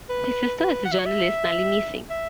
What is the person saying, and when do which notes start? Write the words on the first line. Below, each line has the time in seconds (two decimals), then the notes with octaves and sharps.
His sister is the journalist Nalini Singh.
0.09 B4
0.59 B4
0.85 F#5
0.92 E5
0.98 C#5
1.06 E5
2.10 E5